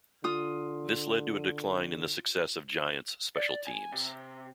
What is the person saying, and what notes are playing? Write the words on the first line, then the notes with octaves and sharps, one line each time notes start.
This led to a decline in the success of Giants special teams.
D3 F4 D#6
D5
G#5
C3